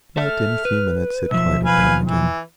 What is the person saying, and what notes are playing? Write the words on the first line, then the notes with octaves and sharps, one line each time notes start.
But in a few minutes it quieted down again.
A4 E5 F6
B4
B1 F3 E5
B4 F5 G#5
E3